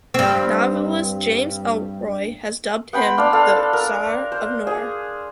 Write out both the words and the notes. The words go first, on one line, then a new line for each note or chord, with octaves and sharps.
Novelist James Ellroy has dubbed him "The Czar of Noir".
G2 C4
B3 G5 B5 C6
D4 F5
A4 F5
A#4
C5
G#4